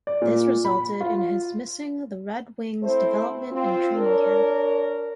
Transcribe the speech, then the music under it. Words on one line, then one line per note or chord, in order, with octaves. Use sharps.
This resulted in his missing the Red Wings Development and Training Camp.
D5
A#2
B5
F4
A3 C4 E4 C5
C4 F4
D4 A#4 C#5